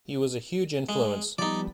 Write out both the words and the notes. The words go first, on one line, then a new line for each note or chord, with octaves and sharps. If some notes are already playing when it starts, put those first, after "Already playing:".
He was a huge influence.
G#3
F3 G3 B3 D#4 D5